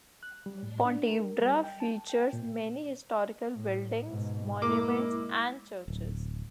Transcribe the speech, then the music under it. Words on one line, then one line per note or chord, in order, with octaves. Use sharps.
Pontevedra features many historical buildings, monuments, and churches.
F#6
G3
A2
D4
A#4
G3
G5
A5
G5
A#2
A2
G#2 B2
G#3 A#3 E4 D6
D1